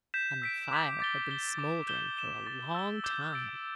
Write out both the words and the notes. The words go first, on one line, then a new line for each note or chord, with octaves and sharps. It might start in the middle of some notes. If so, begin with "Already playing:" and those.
And the fire had been smouldering for a long time.
G6 B6 E7
E6 B6 D7
D6 B6 E7
D6 A6 G7
G6 B6 G7
D6 A6 E7 G7
G6 E7 G7
G6 E7 G7
D6 A6 E7
E6 A6 G7
D6 G6 E7 G7
E6 A6 D7 G7